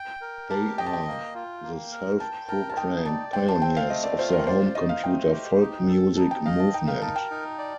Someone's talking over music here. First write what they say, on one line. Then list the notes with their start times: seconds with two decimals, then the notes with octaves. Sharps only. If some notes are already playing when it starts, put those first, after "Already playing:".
They are the self-proclaimed pioneers of the home computer folk music movement.
Already playing: G5
0.21 A#4
0.50 G4 A5
0.78 D#5 G5
0.86 A5
0.93 G5
1.07 A#3
1.35 F4
1.64 A#3
1.92 A#4
2.20 G5 A5
2.49 A#4 A5
2.69 A5
2.77 D#4 G5
3.05 D5 A5
3.33 C5 G5
3.48 A5
3.62 C4 G5
3.77 F5
3.90 A3 D#5
4.04 D5
4.19 F4 C5
4.33 A#4
4.47 C5 D5
4.75 D#4 D#5
4.89 F5
5.04 A3 G5
5.32 G4
5.60 D#4
5.88 A4
6.17 D#4 A5
6.31 G5
6.46 D#5 F5
6.60 A5
6.73 D#4 G5
6.88 F5
7.02 A#4 A5
7.16 G5
7.31 D#4
7.58 D5